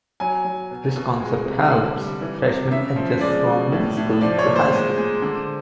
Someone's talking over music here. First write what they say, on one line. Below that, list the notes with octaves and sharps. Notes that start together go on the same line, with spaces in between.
This concept helps freshmen adjust from middle school to high school.
F#3 G#5
F#3
B2
B2
G#3
C3
F5
D3 F#5
G3
E3
C3
C#3 E5
F3
G#3 D5
B2
A2
A2
F3 D5
C#5
A#2
C5
G#3
G#3
D3